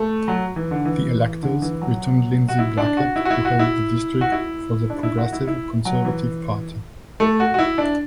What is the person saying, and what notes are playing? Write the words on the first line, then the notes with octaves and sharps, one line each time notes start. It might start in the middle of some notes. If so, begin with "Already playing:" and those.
The electors returned Lindsay Blackett who held the district for the Progressive Conservative Party.
Already playing: A3
F#3
E3
D3
E3
D3
E3
F#3
F#4
E4
D4
F#4
E4
F#4
E4
F#4
E4
F#4
E4
D4
E4
F#4
E4
E4
F#3
E3
A3
F#4
F#4
E4
D4